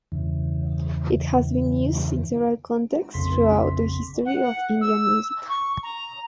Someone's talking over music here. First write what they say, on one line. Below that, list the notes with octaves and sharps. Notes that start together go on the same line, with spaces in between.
It has been used in several contexts throughout the history of Indian music.
E2 G2 C#3 E3
A#1 F2 C#3 C6 B6
F#5
F#5
E6
C#6
A#5